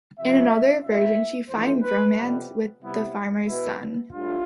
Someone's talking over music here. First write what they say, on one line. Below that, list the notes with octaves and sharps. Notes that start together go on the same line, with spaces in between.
In another version she finds romance with the farmer's son.
C3 F3 C4 F4 E5
B2 A3 C4 E4 E5
F2 E3 A3 D4 C5
B4
F2 C3 G3 B3
C3 G3 B3 E4
B2 B3 E4
A2 G3 D4 F4